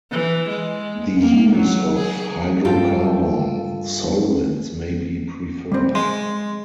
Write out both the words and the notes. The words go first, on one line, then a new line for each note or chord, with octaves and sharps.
The use of hydrocarbon solvents may be preferred.
E3
G#3
A#3
F#3
G#4
G2 F4 A4 G5
G3 C4
G#3 C6